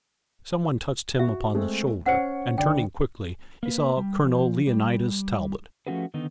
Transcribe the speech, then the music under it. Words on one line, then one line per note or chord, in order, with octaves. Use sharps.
Some one touched him upon the shoulder, and turning quickly he saw Colonel Leonidas Talbot.
F#4 E5
G#3 A3 C4
C#4 C5 F#5 C#7
D2 D3 D5 G5
A#3 B4
G3
F3
G3
F3 A3 C#4 F#4 G#4 B4
D3 D#3 B3 D#4